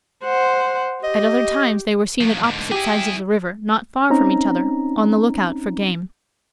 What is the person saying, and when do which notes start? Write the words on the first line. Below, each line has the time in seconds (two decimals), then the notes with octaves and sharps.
At other times they were seen at opposite sides of the river, not far from each other, on the look out for game.
0.24 C5 F#5
1.03 G4 D#5
2.21 F3 F#3
2.44 G#2 D3
2.72 E4 G4 G#4
4.10 C4 C#4 D#4 A#5